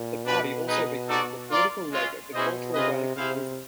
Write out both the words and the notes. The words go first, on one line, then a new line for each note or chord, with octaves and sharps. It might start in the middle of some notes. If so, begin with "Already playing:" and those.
The party also became the political leg of the cultural radical movement.
Already playing: A#2
B2 D4 G4 B4
D#4 G#4 B4 D#5
D#4 F#4 A4 D5
F4 A#4 D5 F5
G#3 C#4 F4
B2 C#4 E4 G#4 C5 D#5
C3 F4 G#4 B4 D#5
C3 E4 G#4 C5 F5